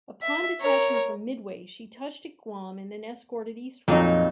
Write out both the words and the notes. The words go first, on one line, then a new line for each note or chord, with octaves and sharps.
Upon detachment from "Midway", she touched at Guam, and then escorted eastward.
E5
A#4 C#5
F2 A#2 F#3 D#4